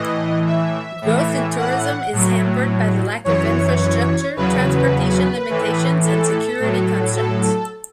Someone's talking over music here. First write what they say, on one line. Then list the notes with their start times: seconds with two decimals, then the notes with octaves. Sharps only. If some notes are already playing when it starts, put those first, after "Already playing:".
Growth in tourism is hampered by lack of infrastructure, transportation limitations and security concerns.
Already playing: A2 E3 D#5
0.46 E5
1.02 A2 E3
1.57 F#5
2.13 A2 F#3
3.24 F#2 E3 C#5
4.36 E2 C#3 F#3 B4
5.49 A2 E3
6.04 A4
6.60 A2 F#3
7.15 A4